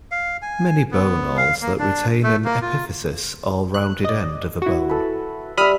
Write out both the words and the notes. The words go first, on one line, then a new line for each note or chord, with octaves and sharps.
Many bone awls that retain an epiphysis, or rounded end of a bone.
F5
G#5
B3
F5
A#3
D4
A3
A#3
F4
F#6
D5 D#5
E4 F#4
A4 B4
G3 E5 B5 D#6 F6